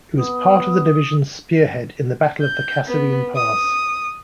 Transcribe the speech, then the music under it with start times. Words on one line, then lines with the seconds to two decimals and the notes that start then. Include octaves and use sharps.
It was part of the division's spearhead in the Battle of the Kasserine Pass.
0.18 B3 D#6
2.42 G6
2.87 B3
3.36 D#6